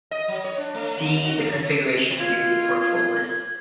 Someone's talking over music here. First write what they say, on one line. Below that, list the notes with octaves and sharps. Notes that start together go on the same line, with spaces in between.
See the configuration readme for a full list.
D#5
F#3
C#5
D4
A3
D#2
F#4
A3
C#5
F4 G#6